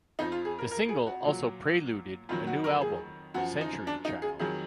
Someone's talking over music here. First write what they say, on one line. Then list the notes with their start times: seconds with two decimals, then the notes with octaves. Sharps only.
The single also preluded a new album, "Century Child".
0.19 F2 F3 D#4
0.32 F4
0.45 G#4
0.59 A#4
0.71 A#4
0.89 G#4
1.06 F#4
1.24 A#2 F#3
2.29 F2 D#3 F#3 F4
2.47 F#4
2.64 A#4
2.81 G#4
3.34 F#2 F#4
3.38 F3
3.61 D#4
3.87 D4
4.05 D#4
4.22 G#4
4.39 F2 D#3 F#3 G#4